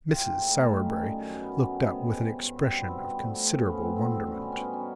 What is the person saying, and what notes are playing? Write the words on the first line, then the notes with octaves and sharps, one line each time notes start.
Mrs. Sowerberry looked up with an expression of considerable wonderment.
G#3 F4 G4
E3
A2 D#4 F4
A2
G3 C#4 D#4
D#3
F#2
F#2
F#3 B3 C#4
D#3
A3 B3
C3 B3 C#4
G#3
E3
G2
G2
B2 C4
G3 B3
G3 C4
B2 B3
A3 C4
F3
A2
B3 C#4
A2
C4
F#3 B3
D3 C4
G2 C4
G2 B3 C#4
B2 C4
B3 C#4
G3
G3 C#4 D#4